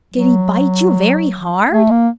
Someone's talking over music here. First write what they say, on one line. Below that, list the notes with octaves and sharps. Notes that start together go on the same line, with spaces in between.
"Did he bite you very hard?"
F#3
A3
A#3